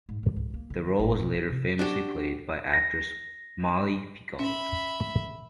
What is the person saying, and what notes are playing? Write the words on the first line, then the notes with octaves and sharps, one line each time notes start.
The role was later famously played by actress Molly Picon.
G#2
G#2
C#2
A#3
D3
G#1
B2
F4
C3
D4 F#4 G4
A#6
C#4 E5 B5